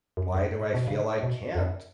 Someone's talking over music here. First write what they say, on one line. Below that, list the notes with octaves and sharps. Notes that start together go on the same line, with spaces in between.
"Why do I feel I can't
F#2
F#2
G#2
A#2
B2
C#3
B2
F2
F#2